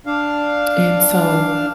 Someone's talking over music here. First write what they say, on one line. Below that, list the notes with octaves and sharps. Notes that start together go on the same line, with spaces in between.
And so,
D4 F5